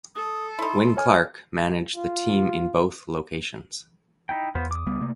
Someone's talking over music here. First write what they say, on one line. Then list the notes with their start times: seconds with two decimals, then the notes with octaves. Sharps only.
Win Clark managed the team in both locations.
0.16 A4 D#6
0.59 D#4 E4 C6
0.97 C#5 G#5 F6
1.96 F4
4.29 D#4 E4 G5
4.55 E2 B3 F4 C5
4.71 D6 D#6
4.86 C#2 G3 B3
5.00 C3 A3 A#3